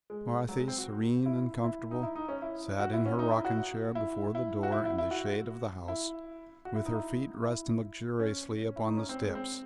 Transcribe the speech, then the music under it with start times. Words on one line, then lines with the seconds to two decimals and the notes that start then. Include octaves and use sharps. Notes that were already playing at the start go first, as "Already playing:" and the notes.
Marthy, serene and comfortable, sat in her rocking-chair before the door in the shade of the house, with her feet resting luxuriously upon the steps.
0.10 G#3
0.49 F#3
0.58 G#3
0.68 C4
0.78 F#4
1.26 E4
1.64 E4
1.91 D#4
2.03 E4
2.16 D#4
2.29 C#4
2.42 E4
2.80 F#4
2.93 E4
3.06 C#4
3.19 D#4
3.31 E4
3.45 F#4
3.95 E4
4.35 E4
4.63 F#4
4.72 E4
4.85 E4
4.98 E4
5.11 F#4
5.88 E4
6.65 F#4
6.75 E4
6.86 D#4
6.94 E4
7.42 E4
8.20 C#4
8.76 E4
8.86 D#4
8.97 C#4
9.09 C4
9.22 G#3
9.35 C4